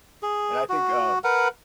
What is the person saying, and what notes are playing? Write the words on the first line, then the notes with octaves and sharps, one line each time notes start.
And I think, um,
G#4
F#4
A#4 B4 F#5